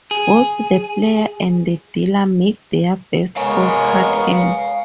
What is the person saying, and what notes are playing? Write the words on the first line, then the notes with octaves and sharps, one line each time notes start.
Both the player and the dealer make their best four-card hands.
G#4
G#3 B3 A#4 C#5 F5 G#5